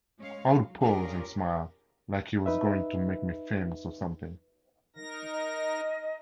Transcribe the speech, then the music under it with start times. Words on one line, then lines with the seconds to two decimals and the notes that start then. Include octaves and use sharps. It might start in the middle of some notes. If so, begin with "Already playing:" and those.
I'd pose and smile like he was going to make me famous or something.
0.19 G#3 C#4 C#5 F5
0.48 F#3
0.82 C#4 D4 F4 G4 G#4 A#4
2.46 D#4 B4 E5
4.96 D#4 A#4 A#6
5.32 D#5